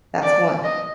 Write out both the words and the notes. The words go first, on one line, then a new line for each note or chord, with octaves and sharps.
that's one.
D5
D#5